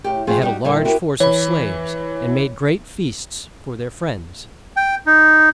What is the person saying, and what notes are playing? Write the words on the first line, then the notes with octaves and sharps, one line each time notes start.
They had a large force of slaves, and made great feasts for their friends.
A2 G4
F3 A3 C4 F4 G#4 C5
G3 D#4 F#4 G4
A#2 G3 A#3 E4
C4 E4 F#4 G4 A#4 B4
E3 C#5 B5
G5
D#4